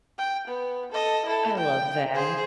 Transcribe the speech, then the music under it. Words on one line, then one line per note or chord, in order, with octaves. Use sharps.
I love that.
G5
B3
A4 D#5
E4 A4
G5
G#4 C5